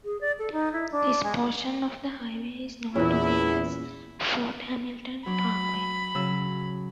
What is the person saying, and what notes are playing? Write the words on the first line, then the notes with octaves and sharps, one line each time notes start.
This portion of the Highway is known today as Fort Hamilton Parkway.
G#4
D5
A4
D#4
E4
D4
G#3
E2 A#2 E3 C#4 E4
F#3 D4 B5
C#3 F#3 E6